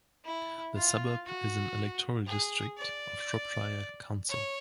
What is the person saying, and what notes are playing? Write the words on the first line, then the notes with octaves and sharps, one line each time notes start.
The suburb is an electoral district of Shropshire Council.
E4
F4
F#4
G#4
D5
C#5